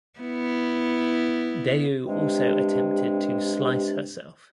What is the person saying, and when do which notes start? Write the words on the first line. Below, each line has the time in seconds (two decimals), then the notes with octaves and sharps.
Dayu also attempted to slice herself.
0.20 B3 E4
2.06 G2 C3 G#3 D4